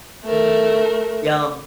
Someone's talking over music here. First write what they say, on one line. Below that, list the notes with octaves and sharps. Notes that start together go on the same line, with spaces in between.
Mm. Yum.
A3 A#4